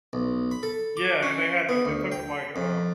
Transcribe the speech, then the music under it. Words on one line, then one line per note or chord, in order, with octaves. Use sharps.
Yeah. And they had to it took 'em, like, um
B1
B5
A4
D6
C#4
B3
D2
G5
F2